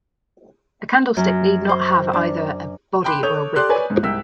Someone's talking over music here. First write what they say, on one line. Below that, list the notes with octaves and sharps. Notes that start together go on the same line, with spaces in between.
A candlestick need not have either a body or a wick.
F#2
C5
D4
G5 B5 C6 D6 F#6
A4 C#5 D#6 G6 F7
G4 A4 D5 C6 F#6
B4 C#5 D5 G#5
G#2
C2 G#2 G5 E6 B6